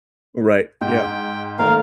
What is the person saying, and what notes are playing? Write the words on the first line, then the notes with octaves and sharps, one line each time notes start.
Right, yeah.
G#2 G5
F#1 D#3 A3 A#4 F5